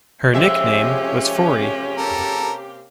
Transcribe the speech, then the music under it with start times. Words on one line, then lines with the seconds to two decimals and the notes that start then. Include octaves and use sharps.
Her nickname was Fori.
0.34 F2 C3 G#3 A#3 C#4 G4 E5
1.97 A4 A#4